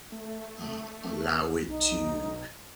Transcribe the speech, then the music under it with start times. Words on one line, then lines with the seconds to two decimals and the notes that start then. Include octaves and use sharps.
uh, allow it to,
0.12 A3
1.68 B1 D#4